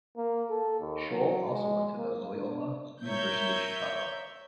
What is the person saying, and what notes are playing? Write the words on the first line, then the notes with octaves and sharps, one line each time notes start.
Scholl also went to the Loyola University Chicago.
A#3
A4
D#2
F#3
G#3
A#3
D4
A#4 C#5 E5 G6